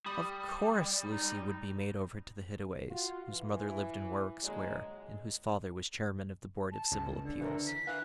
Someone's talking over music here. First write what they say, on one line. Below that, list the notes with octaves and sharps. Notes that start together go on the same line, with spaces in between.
Of course Lucy would be made over to the Hittaways, whose mother lived in Warwick Square, and whose father was Chairman of the Board of Civil Appeals.
G3 B5 D#6
D#4
F4 F#4
E3
A#2 D3 F#3 G#3
A5
C#2
D3
E3 A#4
B6
E3 F5 F#6